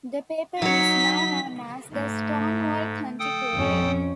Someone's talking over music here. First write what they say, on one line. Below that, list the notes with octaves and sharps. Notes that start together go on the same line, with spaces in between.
The paper is now known as the "Stonewall County Courier".
F#3 D#4 C#5 B6
G#2 A3
A4 G5 D#6
F2 C#4